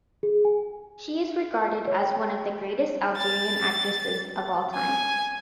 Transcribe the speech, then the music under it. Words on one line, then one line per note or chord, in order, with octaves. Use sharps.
She is regarded as one of the greatest Algerian actresses of all time.
G#4
G#5
C#5
G5
A6
G#5